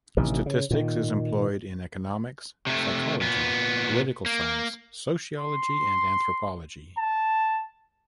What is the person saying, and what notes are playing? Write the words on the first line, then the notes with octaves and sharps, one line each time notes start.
Statistics is employed in economics, psychology, political science, sociology and anthropology.
A1 C3 D#3
C#3
A#2 D#3
C3 A3
A#2 B3
A#3
C6
A5